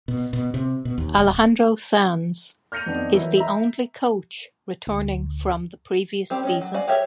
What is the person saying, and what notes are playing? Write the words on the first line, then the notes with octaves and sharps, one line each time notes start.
Alejandro Sanz is the only coach returning from the previous season.
B2
B2
C3
B2
D#2
D1
F6 G6 A#6 C#7 D#7 F7
F2 D#3 B3 D4 D#4
E3 F#3 E4 A#4
E5 A#5
D2
G3 C4 G4
D#3 C#4
F#3
F#4 D5 F5 G#5
G4 G#4 A#4 C#5 E5